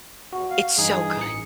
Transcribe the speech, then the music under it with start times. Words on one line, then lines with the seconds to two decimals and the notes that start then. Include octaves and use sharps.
it's so good.
0.33 E2 F#4
0.50 F5
0.77 G2 E3 D#4 G#4
1.17 A1 C#7